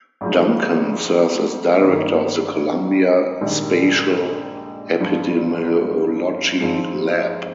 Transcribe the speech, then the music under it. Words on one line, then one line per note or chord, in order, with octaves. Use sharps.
Duncan serves as Director of the Columbia Spatial Epidemiology Lab.
G#1 G#2 F3
G2 D#3 A#3 C#4
A#1 G#2 D#3 G3
G1 G2 F3
G#1 G#2 F3 G#3 C4